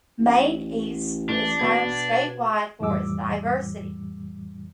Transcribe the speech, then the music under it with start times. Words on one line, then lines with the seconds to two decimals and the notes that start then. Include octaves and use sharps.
Maine East is known statewide for its diversity.
0.19 A1
1.29 A2 E3 D4
1.59 B2 B3 G#6
2.80 F2 A2 E3 G3 D6 E6